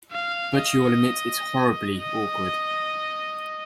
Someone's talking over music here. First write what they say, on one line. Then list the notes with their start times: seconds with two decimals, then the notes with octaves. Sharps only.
But you’ll admit it’s horribly awkward.
0.12 F5
0.59 D#5
1.99 D#5